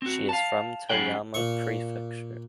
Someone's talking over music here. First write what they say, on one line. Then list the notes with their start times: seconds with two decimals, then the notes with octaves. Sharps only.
She is from Toyama Prefecture.
0.02 C4 F#4
0.29 F5 A5
0.89 F#2 E3 G3 G#4 F#5 G5
1.34 A#2 C#6